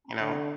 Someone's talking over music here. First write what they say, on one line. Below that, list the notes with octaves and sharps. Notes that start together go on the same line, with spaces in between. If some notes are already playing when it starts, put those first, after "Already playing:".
You know?
D3